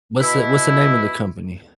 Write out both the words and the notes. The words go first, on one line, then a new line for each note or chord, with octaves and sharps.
What's the what's the name of the company?
B2 E4